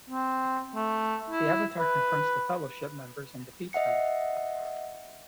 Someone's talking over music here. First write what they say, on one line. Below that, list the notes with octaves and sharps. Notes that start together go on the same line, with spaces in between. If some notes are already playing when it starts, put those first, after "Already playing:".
The Avatar confronts the Fellowship members and defeats them.
C4
A3
E4
B4
D#5 E5 F#5 C#7